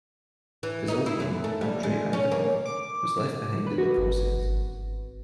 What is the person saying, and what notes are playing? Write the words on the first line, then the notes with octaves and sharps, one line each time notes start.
His old name, Andrei Ivanov, was left behind in the process.
E3
D#4
E4
F#2
A3
G3
G#3
C#4
A#3
D6
B4
F#4
G1
G#1